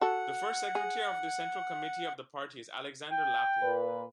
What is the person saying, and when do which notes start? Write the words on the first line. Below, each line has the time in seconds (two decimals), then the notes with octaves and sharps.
The First Secretary of the Central Committee of the party is Alexander Lapin.
0.01 F#4 A4 F#5
0.75 G#4
3.11 G5
3.61 A#2 B4